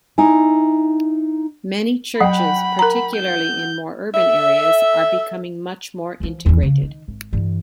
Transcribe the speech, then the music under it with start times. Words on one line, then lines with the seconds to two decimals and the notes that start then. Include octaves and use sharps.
Many churches, particularly in more urban areas, are becoming much more integrated.
0.18 D#4 E4 G#5
2.21 F#3 F#5 G5 B5
2.79 A#4 A#5
3.16 G6
4.15 A4 E5
6.20 E3 F3
6.46 E2 E3
6.63 C#3
6.83 D#3
7.08 G#1
7.33 G2 E3